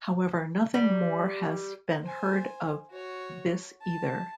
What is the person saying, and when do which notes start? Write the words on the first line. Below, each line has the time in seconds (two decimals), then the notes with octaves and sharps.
However, nothing more has been heard of this either.
0.74 G3
2.03 C5 G#5
2.91 F#4 C#5
3.82 A5